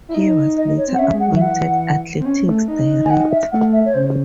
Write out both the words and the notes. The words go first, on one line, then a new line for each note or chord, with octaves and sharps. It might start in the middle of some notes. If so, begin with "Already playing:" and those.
He was later appointed athletics director.
E4
D#4
D#5
C#5
C4
F#5
C#4 E5
G#3
F#5
F#3
E5
E3 F#5
C4
C#4
A3
D#4
G#5
F#5
E5
A3 F#5
E5
C#5
C#3 C5